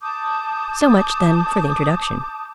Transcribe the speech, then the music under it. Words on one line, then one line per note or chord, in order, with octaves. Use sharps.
So much, then, for the introduction.
A5 D6 D#6 G6